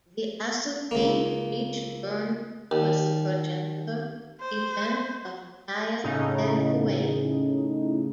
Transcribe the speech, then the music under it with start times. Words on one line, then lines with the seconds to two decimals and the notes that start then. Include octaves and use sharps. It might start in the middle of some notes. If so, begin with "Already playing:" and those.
The Assateague Beach Burn was the progenitor event of Playa Del Fuego.
0.91 C#2 A#3
2.71 D#2
4.41 C5
6.04 A2 C#3 D#4